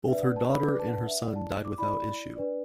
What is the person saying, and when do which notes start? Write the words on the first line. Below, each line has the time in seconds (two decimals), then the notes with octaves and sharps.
Both her daughter and son died without issue.
0.07 D4 B4 D5 E5
0.22 F#5
0.36 A5
0.51 B5
0.64 D4 B4 D5 D6
0.79 A5
0.87 F#5
0.93 A5
1.02 F#5
1.07 E5
1.21 E4 D5 F#5
1.36 A5
1.65 D6
1.78 E4 D5 B5
2.36 D4 B4 D5